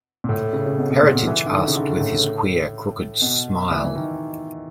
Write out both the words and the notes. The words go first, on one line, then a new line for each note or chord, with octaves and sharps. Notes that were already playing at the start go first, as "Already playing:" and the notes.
Heritage asked with his queer crooked smile.
A#2
A2
C#3
C#3
B2
B2
A#2
B2
E3
D3
D#3
C#3
D3
A2
B2
E3
E3
D#3